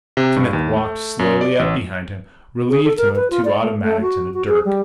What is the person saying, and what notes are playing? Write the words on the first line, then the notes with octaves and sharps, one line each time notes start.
Smith walked slowly up behind him, relieved him of two automatics and a dirk.
C3
G2
D#2
A3
F#2
D5
A1
G#4
A4
A#4
B4
F4
D5
A3
A3
F#4
F#4
G#4
G3